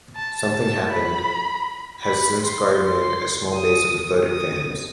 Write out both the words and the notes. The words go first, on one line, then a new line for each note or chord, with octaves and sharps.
"Something Happened" has since garnered a small base of devoted fans.
A5
A5
B5
B5
C6
C6
D#6
D#6